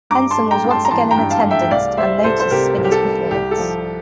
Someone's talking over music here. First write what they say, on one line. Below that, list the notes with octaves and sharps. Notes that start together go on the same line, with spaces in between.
Henson was once again in attendance and noticed Spinney's performance.
G2 A#5 D6
A5 C6
A3
G5 A#5
G2
A5 C6
A#5
E3 A5 C6
G5 A#5
G2
F5 A5
A3
E5 G5
G5
C2 D5 F5
G3 C5 E5
C2 A4 C5
C5
C3 G4 A#4
C2
G4
A4
G3
C2 G4
A4
F3